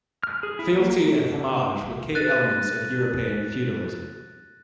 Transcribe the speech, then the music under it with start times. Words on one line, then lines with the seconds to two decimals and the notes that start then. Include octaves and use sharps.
Fealty and homage were key elements of European feudalism.
0.23 F6
0.43 G#4
0.59 E4
0.75 A#3
2.15 F#6 A6 A#6 D#7